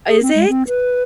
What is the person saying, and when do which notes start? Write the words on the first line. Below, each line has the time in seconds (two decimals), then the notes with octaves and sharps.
Is it?
0.08 G#4
0.22 C4
0.36 G#3
0.49 C4
0.68 B4